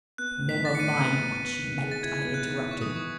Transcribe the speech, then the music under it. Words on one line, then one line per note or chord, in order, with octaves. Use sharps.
"Never mind what you meant!" I interrupted.
B3 F#6
A2
B6
E3
A6
C#7
A2 D#7
B3
A2
B3
D#3
G#3
A6
E4 G#6
B3
F#6
D#3
E4
C#6
D#6
E3
C#6